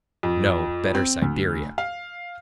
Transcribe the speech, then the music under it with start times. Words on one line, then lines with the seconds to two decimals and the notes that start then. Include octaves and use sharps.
No, better Siberia!
0.23 F2
0.95 C4
1.22 D2
1.78 F5